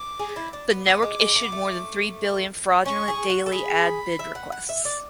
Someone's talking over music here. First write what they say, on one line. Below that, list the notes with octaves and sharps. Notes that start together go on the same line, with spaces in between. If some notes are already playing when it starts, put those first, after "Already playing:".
The network issued more than three billion fraudulent daily ad bid requests.
Already playing: D6
G#4
E4
D4
B3
B3 D6
G#3
G#3
A3
B3
A3
C#4 C#6
G#4
F#4
A4
G#4 B5
E5
F#5
F#5
E5
D5